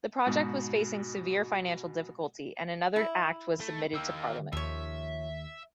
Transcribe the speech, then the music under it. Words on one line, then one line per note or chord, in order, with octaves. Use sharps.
The project was facing severe financial difficulty and another Act was submitted to Parliament.
G#2 B2
E4
A3
D#3 A#3 G5 E6
D#2 D#3 F3 C#5 E5